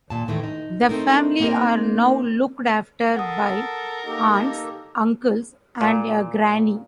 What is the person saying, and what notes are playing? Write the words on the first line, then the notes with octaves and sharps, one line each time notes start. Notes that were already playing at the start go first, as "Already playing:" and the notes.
The family are now looked after by aunts, uncles and a granny.
D#2 A#2 A5
A2 D#3 E3 G#3 A3
D#4
A3 C4 D#4 A4 A#4
A#3 C4 D#4 G4 A#4
A4 A#4 F#5 A5 D#6
A#3 D#4 G4 A4
A#2